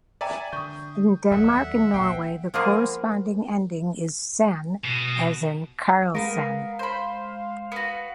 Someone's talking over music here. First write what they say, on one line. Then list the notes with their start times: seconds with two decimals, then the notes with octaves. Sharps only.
In Denmark and Norway, the corresponding ending is "-sen", as in "Karlsen".
0.21 D5 E5 G5 G#5 A#5 B5
0.53 D3 C#6 D#6 G6
1.31 D#2 F#3 A4 D5 E5 F#5
1.94 A#1 A#3 G5 C7
2.54 F3 G#3 A#3 B3 G#4 A#4
4.84 B2
6.15 G#3 B3 A#4 F5
6.79 C5 B5
7.72 B3 F#4